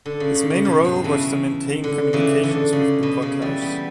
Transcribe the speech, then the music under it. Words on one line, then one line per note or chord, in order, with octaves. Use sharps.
His main role was to maintain communications with the blockhouse.
D3
C#3
C#3
C#3
B2
G2
C#3 E3
D3
C#3 E3
D3
C#3
B2
C#3
E3 G3
G3 B3